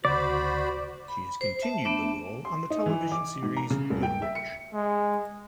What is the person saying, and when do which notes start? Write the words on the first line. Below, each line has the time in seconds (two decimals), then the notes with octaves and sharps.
She has continued the role on the television series "Good Witch".
0.05 D2 C#3 F#4 C5 D5 B5
1.08 B5
1.41 C5
1.62 E5 A5
1.85 A3 B3 D4 E5
2.45 C6
2.70 D#4
2.86 E3
3.12 D6
3.42 G#2
3.57 A#5
3.70 C#3
3.90 D#1
4.03 G5
4.22 E5
4.35 C#7
4.74 G#3